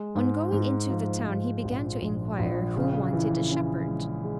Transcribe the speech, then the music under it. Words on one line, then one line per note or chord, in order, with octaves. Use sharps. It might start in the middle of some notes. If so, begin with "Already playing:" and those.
On going into the town he began to inquire who wanted a shepherd.
Already playing: G#3
G#2
G#2
F3
G#2
A#1
A#1
A#1
C#3
E3
C#4
G#3
G#3